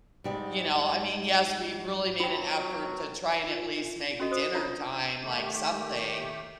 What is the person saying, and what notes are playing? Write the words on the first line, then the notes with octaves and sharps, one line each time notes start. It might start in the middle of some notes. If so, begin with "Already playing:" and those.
you know I mean, yes, we really made an effort to try and at least make dinner time, like, something
G#2 G3 G#3
F2 F#3 F4 G5
F4
C#4 F#4 A4 D#5
C5 D#6
D4 F4 A4 C#5 D5 A#5
D#3 A3 G4